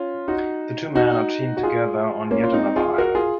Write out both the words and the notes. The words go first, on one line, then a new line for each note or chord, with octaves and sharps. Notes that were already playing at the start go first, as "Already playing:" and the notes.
The two men are teamed together on yet another island.
Already playing: C#4 F4
D#4 F#4
D#4 F#4
F#4
F4 G#4
A#3 C#4
F4
C4 D#4
F4 G#4
F#4 A#4
F4 G#4